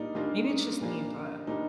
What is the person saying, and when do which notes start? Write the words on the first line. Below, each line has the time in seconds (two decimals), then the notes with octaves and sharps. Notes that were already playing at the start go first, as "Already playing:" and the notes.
maybe it's just me, but
Already playing: A#2 G3 A#3 D4 D#4 D5 D#5
0.15 A#2 G3 A#3 D4 F4
0.81 A#2 G3 A#3 D4
1.47 A#2 G3 A#3 D4 D#4